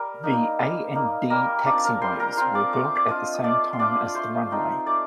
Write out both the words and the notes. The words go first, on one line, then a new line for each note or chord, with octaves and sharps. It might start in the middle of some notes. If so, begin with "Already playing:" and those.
The A and D taxiways were built at the same time as the runway.
Already playing: G3 A#4
A#3 D#4
G3
A#3 D#4
G3 A#3 A#4
C4 D4 F4 D5
A#4 A#5
G3 C5 C6
A#4 A#5
C4 F4 C5 C6
D5 D6
A3 D6
C6
D5 D6
D4 F4 D#5 D#6
D#6
A3 D5 D6
C6
D4 F4 D5 D6
A3 C5 C6
C4 D#4
A3 D5 D6